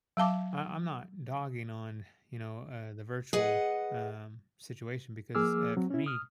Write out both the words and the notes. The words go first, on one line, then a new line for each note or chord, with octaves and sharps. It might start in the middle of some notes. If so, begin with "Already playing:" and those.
I I'm not dogging on, you know, uh, the virtual, um, situation because, eh, for me,
F#3 F5 A5 D6
G#4 B4 D#5 F#5
F3 A#3 G#4 D6 E6 F6
F#3 C4
C#4 E4
D#6 F6